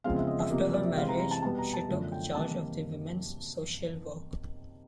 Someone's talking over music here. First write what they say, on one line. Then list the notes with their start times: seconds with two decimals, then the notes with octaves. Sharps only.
After her marriage she took charge of the women's social work.
0.04 E2 C#3 F3 G#3 C4 F5
0.16 E5
0.27 D#5
0.39 E5
0.50 C3 F3 A#3 D#5
0.73 D5
0.85 E5
0.97 C3 E3 G#3 C4 F5
1.08 A#5
1.19 A#5
1.31 A5
1.42 E2 B2 G3 B3 A5
1.58 A#5
1.73 A5
1.89 F#2 D3 F3 A3
2.12 G5
2.35 C3 D#3 G3 A#3 A5